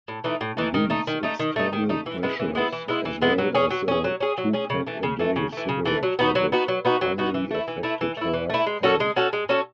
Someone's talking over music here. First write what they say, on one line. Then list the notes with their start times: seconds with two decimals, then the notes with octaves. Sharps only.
These external pressures, as well as a two-pack-a-day cigarette habit, finally affected her health.
0.08 A2
0.24 E3 A3 D#4
0.41 A2
0.57 E3 A3 D#4
0.74 D#3
0.90 A3 D#4
1.07 D#3
1.23 A3 D#4
1.39 D#3
1.56 A3 D#4
1.73 D#3
1.89 A3 D#4
2.06 E3
2.23 G#3 B3 E4
2.40 E3
2.55 G#3 B3 E4
2.72 E3
2.88 G#3 B3 E4
3.05 E3
3.22 G#3 B3 E4
3.38 F#3
3.55 C#4 G#4
3.71 F#3
3.88 C#4 G#4
4.04 F#3
4.20 C#4 G#4
4.38 F#3
4.53 C#4 G#4
4.70 C#3
4.87 E3 A3
5.03 C#3
5.19 E3 A3
5.36 C#3
5.53 E3 A3
5.69 C#3
5.85 E3 A3
6.03 F#3
6.19 B3 D#4 F#4
6.35 F#3
6.52 B3 D#4 F#4
6.68 F#3
6.85 B3 D#4 F#4
7.01 F#3
7.18 B3 D#4 F#4
7.34 E3
7.51 A3 E4
7.68 E3
7.83 A3 E4
8.01 E3
8.17 A3 E4
8.33 E3
8.50 A3 E4
8.66 G#3
8.83 C#4 F#4 A4
9.00 G#3
9.16 C#4 F#4 A4
9.33 G#3
9.49 C#4 F#4 A4